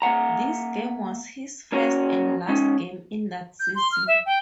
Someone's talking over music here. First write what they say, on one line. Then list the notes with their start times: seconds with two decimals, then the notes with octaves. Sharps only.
This game was his first and last game in that season.
0.02 A#3 E5 F#5 A#5
1.72 A#3 C#4 F#4 C#5
2.48 C#2 C#4 D#4
3.60 G6
3.75 C6
3.92 F6
4.08 E5
4.26 G5